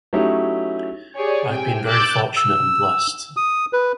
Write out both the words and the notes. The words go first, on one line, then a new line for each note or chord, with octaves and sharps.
I've been very fortunate and blessed.
F#3 A3 C#4 D#4 E4 G4
G4 G#4 C#5 D5
C3 G5 G#5
D6 E6 F#6 G6 A6
E6
D#6
B4